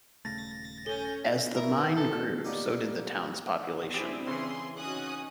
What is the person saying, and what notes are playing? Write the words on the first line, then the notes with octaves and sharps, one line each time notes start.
As the mine grew, so did the town's population.
D#1 C#3 A3 A6 A#6
C#4 A4 G#5 G6 G7
E4 A#4
E3
A4
C2
G3 A#3 B3 C#4 D#4 G4
C4 D4 E4 G4 G#4
C#3 E3 G#4 C6
C#4 D#4 F#4 G#5 D#6 F#6